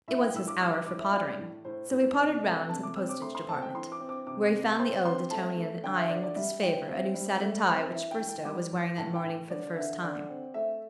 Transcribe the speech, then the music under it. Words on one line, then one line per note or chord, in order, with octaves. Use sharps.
It was his hour for pottering, so he pottered round to the Postage Department, where he found the old Etonian eyeing with disfavour a new satin tie which Bristow was wearing that morning for the first time.
A2 E5
G5
A2 E6
D6
G3 E6
D6
A2 D6
E5
G3 D5
A2
A2 C5
A2
C3 D5
A3 E5
C3 A5
D6
C4 E6
D6
A3 C6
C6
C4 A5
G5
E3 C6
D6
C4
D6
C3 D6
C3
C4 C6
C4 C6
A3 A5
A3
D3 G5
E5
D3 D5
D5
G3 E5
E3 G5
C4 E5
G3
A3
C4
E3 E5
G5
E3
G5
G3 D6
A2
A2 A5
G5
A2
D3 D5
D3 E5
D3 D5
C4
A3 E5